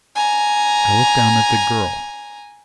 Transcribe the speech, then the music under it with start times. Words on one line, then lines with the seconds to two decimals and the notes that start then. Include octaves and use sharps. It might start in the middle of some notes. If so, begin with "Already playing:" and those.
I looked down at the girl.
0.16 G#5 A#5